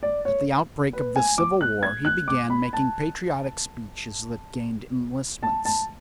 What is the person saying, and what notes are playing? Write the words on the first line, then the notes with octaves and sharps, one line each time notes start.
At the outbreak of the Civil War he began making patriotic speeches that gained enlistments.
D5
C#5
B4
G#5
D6
F#6
G#6
F#6
D6
B5
A5
A5
A5